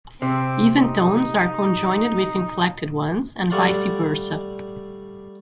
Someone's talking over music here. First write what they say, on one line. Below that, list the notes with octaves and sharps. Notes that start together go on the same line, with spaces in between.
Even tones are conjoined with inflected ones, and vice versa.
C3 C4
D#4
G3 A3 D5 F5 F#5 C6